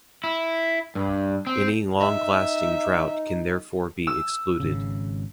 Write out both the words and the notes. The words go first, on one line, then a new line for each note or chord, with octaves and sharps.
Any long-lasting drought can therefore be excluded.
E4
G2
C4
D#4 E5
E6
G#1 C#3